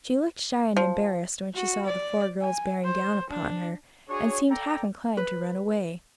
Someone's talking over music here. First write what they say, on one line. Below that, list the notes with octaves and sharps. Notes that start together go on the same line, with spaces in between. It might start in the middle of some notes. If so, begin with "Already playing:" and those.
She looked shy and embarrassed when she saw the four girls bearing down upon her, and seemed half inclined to run away.
F3
F#4
D5
G#5
C5
D4
D4 F#4 G#4 C#5
A4 D5 G5 A#5
B4